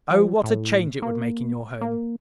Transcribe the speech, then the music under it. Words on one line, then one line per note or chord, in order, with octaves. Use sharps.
O what a change it would make in your home!
F3
A2
A#3
A#3